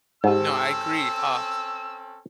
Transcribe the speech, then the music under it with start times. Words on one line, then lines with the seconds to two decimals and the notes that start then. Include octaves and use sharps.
No, I agree, uh,
0.24 G#2 C4 C#4 G4 A4 C5 E6